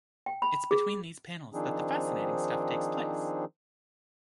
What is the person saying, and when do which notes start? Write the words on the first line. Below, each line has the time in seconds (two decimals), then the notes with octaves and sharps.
It's between these panels that the fascinating stuff takes place.
0.26 G5
0.42 B5
0.71 G#4
1.53 D#3 F3 C4 D4 D#4 G#4